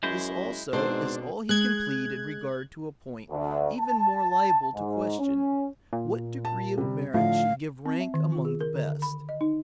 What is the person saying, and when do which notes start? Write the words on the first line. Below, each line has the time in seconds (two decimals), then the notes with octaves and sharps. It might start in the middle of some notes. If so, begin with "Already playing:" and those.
This also is all he can plead in regard to a point even more liable to question;--what degree of merit should give rank among the Best.
0.03 F#2 G#3 E4 C5
0.73 G#2 B2 C4 D4 C5 C6
1.49 G#3 F#6 G#6
3.30 D2
3.79 A5
4.75 G#2
5.19 C#4
5.93 A#2
6.45 A5
6.77 C3 G3
7.14 A2 D3 F3 F5
7.86 C4
8.00 E5
8.14 D#3
8.32 F4
8.45 G#4
8.61 A#4
8.75 D3
9.02 B5
9.29 D#5
9.41 D#4